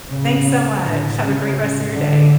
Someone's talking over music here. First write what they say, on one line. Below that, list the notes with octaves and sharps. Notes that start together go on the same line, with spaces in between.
Thanks so much, have a great rest of your day.
A2 C#3
A2 D3
C#3
A2
D3